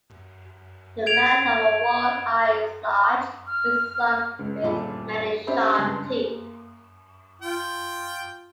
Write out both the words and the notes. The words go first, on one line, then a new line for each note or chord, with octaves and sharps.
The mouth of a walleye is large and is armed with many sharp teeth.
G#6 D7 F7
F6
C#2
D#1 D2 A#2 A3 F4 B5
C#4 D4 G4 C5 E5 B5
C#2 G2 A5 C6
A#3
F4 G5